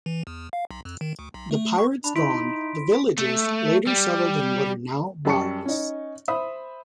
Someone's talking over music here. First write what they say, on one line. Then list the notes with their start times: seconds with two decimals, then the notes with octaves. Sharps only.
The pirates gone, the villagers later settled in what are now Baras.
0.06 E3
0.27 E2
0.53 F5
0.71 B1
0.85 F2
1.01 D#3
1.19 D2
1.34 B1
1.51 A3
1.78 C#6
2.04 D4 B5
2.16 D#4 E4 C6 B6 D7
3.19 A3
3.87 G3
5.25 F#2 G3 A5 C#6 C#7
5.65 C#4 D#4
6.28 C5 E5 B5 D#6